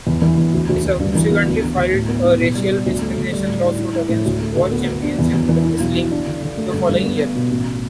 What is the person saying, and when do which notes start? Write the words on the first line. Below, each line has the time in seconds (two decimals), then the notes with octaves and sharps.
He subsequently filed a racial discrimination lawsuit against World Championship Wrestling the following year.
0.07 E2
0.22 E3
0.38 E2
0.53 D2
0.69 D2
0.84 D2
0.99 G2
1.15 E3
1.30 B3
1.47 D2
1.62 D3
1.77 D2
1.93 A2
2.08 B3
2.24 E4
2.39 B2
2.55 G3
2.70 B3
2.86 D2
3.01 A3
3.17 D2
3.33 G3
3.48 A2
3.63 E4
3.79 E4
3.94 E4
4.09 A2
4.25 D2
4.41 A3
4.56 D2
4.71 B3
4.87 B3
5.02 D4
5.19 E2
5.34 E2
5.49 E3
5.65 E4
5.80 B1
5.96 E4
6.11 D4
6.27 D3
6.42 D3
6.57 A3
6.73 G2
6.89 G2
7.04 B3
7.20 B3
7.35 B2
7.51 A1